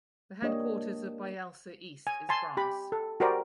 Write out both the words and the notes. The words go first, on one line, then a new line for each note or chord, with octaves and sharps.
The headquarters of Bayelsa East is Brass.
A#3 D4 G4 C#5 D#5
G#5
G#5 A5 C6
G4 B5
A4
F#4 G4 A#4 C5 D5